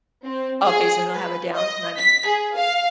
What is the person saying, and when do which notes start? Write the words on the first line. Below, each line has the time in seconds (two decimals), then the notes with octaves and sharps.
Oh, basically I'll have a downtime.
0.26 C4
0.63 G#4
1.13 B4
1.57 D#5
1.98 B6
2.27 G#4
2.57 F5